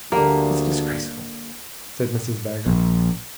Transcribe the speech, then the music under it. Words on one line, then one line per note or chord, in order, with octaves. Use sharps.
"It's disgraceful," said Mrs. Baggert.
D2 D3 G3 A#3
A#1